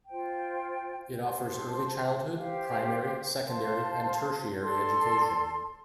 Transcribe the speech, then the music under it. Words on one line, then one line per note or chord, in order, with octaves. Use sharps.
It offers early childhood, primary, secondary and tertiary education.
F4 C5 G5
G4 C5 A5 C6
G4 C5 F5
C5 F5 A5 C6
A4 D5 A5 C6